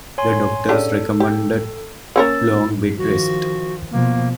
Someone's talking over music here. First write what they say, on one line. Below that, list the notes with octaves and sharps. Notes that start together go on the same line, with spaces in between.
The doctors recommended long bed rest.
C#5 G#5 C6
C#3 D4 G4 A4
G4
A#3 C#4 A#4 E6 A6
D#3 F3 F#4
B2 F3 A#3